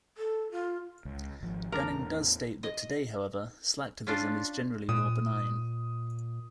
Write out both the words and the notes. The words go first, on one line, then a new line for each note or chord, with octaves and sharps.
Dunning does state that today, however, slacktivism is generally more benign.
A4
F4
C#2
G#1 F3
A1 E2 D4 A#4
D#5
C#4 D4 F4
A#2 D#6